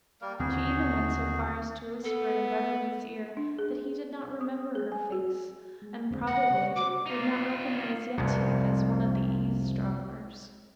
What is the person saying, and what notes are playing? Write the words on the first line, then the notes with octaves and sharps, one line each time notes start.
She even went so far as to whisper in Beverly's ear that he did not remember her face, and probably would not recognize Yetive as one of the eavesdroppers.
G3 A#3 A#4
D#2 D3 C4 D#4 F#4 G#4
B3 A4
D4
G#4
D#6
G#4
G#5
F#4
G#3
F2 D3 C4
F#5 A#6
C#3 C#5
F#4 C5 D6
D#4 F4
C2 F2 C3